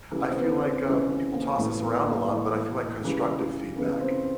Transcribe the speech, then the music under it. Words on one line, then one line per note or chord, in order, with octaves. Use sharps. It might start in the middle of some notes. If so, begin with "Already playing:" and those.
I feel like, uh, people toss this around a lot, but I feel like constructive feedback
C#3 E3 G3
C4
B3
C4
C#3 E3 G3 C#4
C4
A#3
A2 E3 A3 A#3
B3
A#3
A2 E3 A3
C#3 E3 G3
C#3 E3 G3 B3
C4